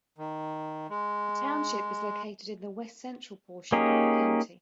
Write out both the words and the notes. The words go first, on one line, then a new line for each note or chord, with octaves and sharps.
The township is located in the west central portion of the county.
D#3
G#3
A#3 C#4 D#4 G4 G#4